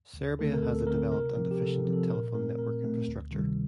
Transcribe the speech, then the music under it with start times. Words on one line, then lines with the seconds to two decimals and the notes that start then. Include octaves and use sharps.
Serbia has a developed and efficient telephone network infrastructure.
0.14 D2
0.39 D3 A3 C4 A4
0.54 A#4
0.62 D2 A4
0.87 D3 A3 C4 A#4
1.12 C3 A#4
1.36 F3 C4
1.51 G4
1.61 C3 A4
1.85 F3 C4
1.93 A4
2.09 A#2 A#4
2.34 A3 C4 A#4
2.58 A#2 A#4
2.82 A3 C4
3.07 D2
3.31 C3 D#3 G3